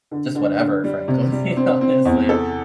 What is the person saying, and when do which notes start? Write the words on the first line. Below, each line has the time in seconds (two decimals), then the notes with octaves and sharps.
just whatever, frankly, honestly.
0.11 D3
0.35 D3
0.60 D3
0.84 G3
1.08 C3
1.32 G3
1.57 C4
1.81 C4
2.05 E2
2.29 A4